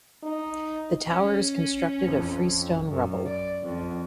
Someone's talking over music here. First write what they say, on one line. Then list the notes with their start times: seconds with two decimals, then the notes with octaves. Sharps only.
The tower is constructed of freestone rubble.
0.23 D#4
1.09 C#4
2.07 F2
2.89 F#2
3.26 D5
3.63 F2